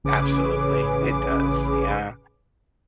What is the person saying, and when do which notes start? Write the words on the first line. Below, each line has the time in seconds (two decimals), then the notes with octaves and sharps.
Absolutely, it does, yeah.
0.04 A1 C#3 C#4 G#4 B4 D6